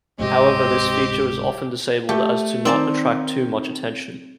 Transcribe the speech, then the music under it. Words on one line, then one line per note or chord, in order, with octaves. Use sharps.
However, this feature is often disabled as to not attract too much attention.
D1 G#2 C3 C4 G4 D#5
A3 G4
D#3 C4 D5 A5